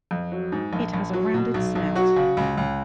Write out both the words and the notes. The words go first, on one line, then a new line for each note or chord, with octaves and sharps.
It has a rounded snout.
F2
F#3
G#2
A#1
A#1
F#3
B2
B1
B1
F#3 F#4
C#3
C#2
C#2